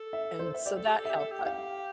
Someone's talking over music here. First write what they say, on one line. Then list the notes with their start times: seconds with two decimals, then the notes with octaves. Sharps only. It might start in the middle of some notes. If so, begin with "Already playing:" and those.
And so that helps, I
Already playing: A4
0.13 E5
0.39 C5
0.54 E5
0.66 G4 D5
0.77 A4
0.88 G4
0.98 A4
1.05 G4 E5
1.20 A4
1.32 G4
1.39 G5
1.45 G4 F5